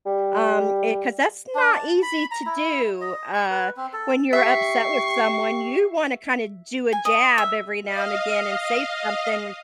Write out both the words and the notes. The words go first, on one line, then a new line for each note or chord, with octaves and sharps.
um, eh, 'cause that's not easy to do, uh, when you're upset with someone, you wanna kinda do a jab every now and again and say something, f
G3
D4
A5
B5
A#5
E4
D#5
C#6
B4
C4
A4
G4 E5 C#6 C7
G#5
D#5
E5
D#5 F5